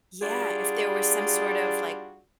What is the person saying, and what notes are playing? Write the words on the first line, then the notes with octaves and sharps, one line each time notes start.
Yeah, if there was some sort of, like,
G3 D4 F4 F#4 G#4 D5